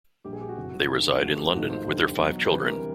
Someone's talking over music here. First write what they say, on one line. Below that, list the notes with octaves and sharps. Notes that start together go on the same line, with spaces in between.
They reside in London with their five children.
A#1 A#2 G3 G4
G#4
G4
F#4
F#1 F2 C3 F3
F1 D#2 D3
C#2 C#3 F3 A3 F#4
G4
G#1 G#2 F3 A3 F#4
C5
F1 D#2 D3 G3
E2 B2 F#3
C5
D2 C3 E3 G3 B4
A#4